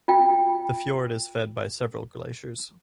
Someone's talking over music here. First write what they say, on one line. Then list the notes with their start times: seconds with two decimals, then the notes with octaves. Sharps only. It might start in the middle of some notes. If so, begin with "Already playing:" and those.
The fjord is fed by several glaciers.
0.08 F4 G5